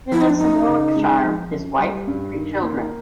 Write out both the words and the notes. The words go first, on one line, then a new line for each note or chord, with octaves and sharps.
He lives in Warwickshire with his wife and three children.
F3 E4
D#4
D4
F#2 D#4
C#3
G#3
F3
F#2
G3
G2
D#3
A#3